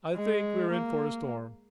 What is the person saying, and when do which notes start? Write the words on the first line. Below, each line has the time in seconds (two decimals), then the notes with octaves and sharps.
"I think we're in for a storm."
0.15 G#3
0.71 A#3